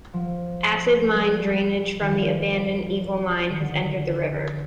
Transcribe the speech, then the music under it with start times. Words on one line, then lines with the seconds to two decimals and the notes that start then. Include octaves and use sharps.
Acid mine drainage from the abandoned Eagle Mine has entered the river.
0.13 F3
1.13 G3
2.00 D#3
2.11 F3
3.49 D#3
3.59 D3